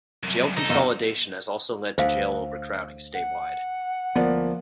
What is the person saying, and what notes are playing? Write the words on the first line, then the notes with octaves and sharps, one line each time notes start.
Jail consolidation has also led to jail overcrowding statewide.
C2 F#2
C2 D#4 A4
G1 F#2 D#5
D2 C5 F5
F#5
D2 F3 A#3 B3 D5